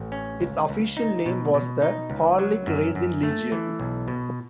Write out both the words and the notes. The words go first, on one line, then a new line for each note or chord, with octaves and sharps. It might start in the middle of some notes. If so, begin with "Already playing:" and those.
Its official name was the Horlick-Racine Legion.
Already playing: A1
C#4
C#2
C#2
D#4
B2
B2
D#4
C#2
F#3
F#2
F#2
A3
E3
B1
B2